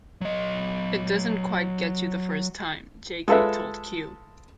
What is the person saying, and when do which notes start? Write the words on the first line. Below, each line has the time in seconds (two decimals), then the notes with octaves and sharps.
"It doesn't quite get you the first time," Jay Kay told "Q".
0.21 F#3 D#5
3.28 G#3 F4 A4 B4 E5